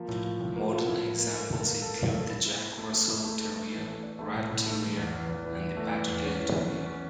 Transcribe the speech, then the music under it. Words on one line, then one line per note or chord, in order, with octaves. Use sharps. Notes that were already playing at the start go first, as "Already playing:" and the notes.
Modern examples include the Jack Russell Terrier, Rat Terrier and the Patterdale Terrier.
Already playing: F3 A#3
A2
F3
A2
A#3
F3
E4
A2
A#3
A4
A4
A#3
A4
A#3
A4
E4
E4
E4
A3
A3
E4
A3
A4
A3
E3
A3
D4
A3
A2
A2
A3
E3
E2
E2
E2
E3
E3
A3
E3
E2
C#4
E3
E3
C#4
C#4